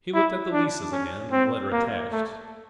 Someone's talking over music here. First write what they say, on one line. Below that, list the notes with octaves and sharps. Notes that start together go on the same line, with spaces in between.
He looked at the leases again and the letter attached.
E4
D4
C#4
C4
A#3
A3